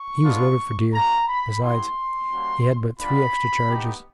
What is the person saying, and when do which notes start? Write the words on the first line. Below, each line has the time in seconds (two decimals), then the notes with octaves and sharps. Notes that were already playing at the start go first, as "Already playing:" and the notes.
He was loaded for deer; besides he had but three extra charges.
Already playing: C#6
0.24 G#3 B3 D4 F4
0.93 A#3 C#4 F#4 A#5
1.28 B5
1.62 B3 E4 G4 C6
2.31 G3 A#3 C#4 F#4
3.00 G3 B3 D4 F4 B5
3.70 B3 D#4 G4